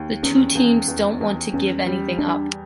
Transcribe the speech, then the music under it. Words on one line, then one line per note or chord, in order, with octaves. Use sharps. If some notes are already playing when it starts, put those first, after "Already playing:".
The two teams don’t want to give anything up.
Already playing: D#2
E2 C#4
E2
E2
E2
E2 C#4
G3
G3 D4